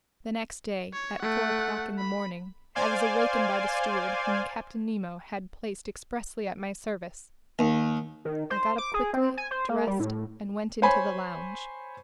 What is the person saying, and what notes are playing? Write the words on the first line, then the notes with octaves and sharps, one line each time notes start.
The next day at four o'clock in the morning, I was awakened by the steward whom Captain Nemo had placed expressly at my service. I got up quickly, dressed, and went into the lounge.
C#5
A3 F#5
B5
C5 D5 F5 G#5 C6
D#2
D#3
C5
D6
G#4
C4
G#5
C5
A#3
G3
A2
C5 C#5 G#5 B5